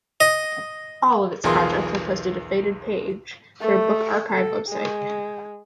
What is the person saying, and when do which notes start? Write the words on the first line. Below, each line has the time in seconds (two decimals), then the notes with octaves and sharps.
All of its projects are posted to Faded Page, their book archive website.
0.20 D#5
1.44 B1 E2 F4 G#4 A#4 C6
3.61 A3
4.31 A4
4.69 G#3